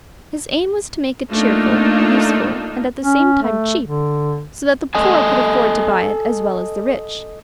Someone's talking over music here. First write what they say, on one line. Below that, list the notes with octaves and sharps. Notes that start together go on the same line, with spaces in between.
His aim was to make it cheerful, useful and at the same time cheap, so that the poor could afford to buy it as well as the rich.
A3 A#3 D4 D#4 F4
C#4
A3
D3
A4 D#5 G#5